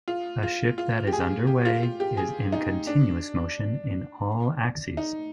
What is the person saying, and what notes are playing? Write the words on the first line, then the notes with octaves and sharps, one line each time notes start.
A ship that is underway is in continuous motion in all axes.
F4
F4
F4
G4
G#4
G4
F4
F4
G4
G#4
D#4
D4
D#4